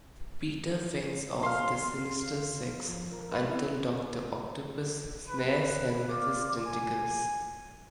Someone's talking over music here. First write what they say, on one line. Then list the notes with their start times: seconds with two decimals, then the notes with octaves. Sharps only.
Peter fends off the Sinister Six until Doctor Octopus snares him with his tentacles.
1.43 F5 C6
2.89 F3
3.12 A#4
3.33 B4
3.49 E4
5.27 B4
6.09 F4 D5 D6
6.65 G#5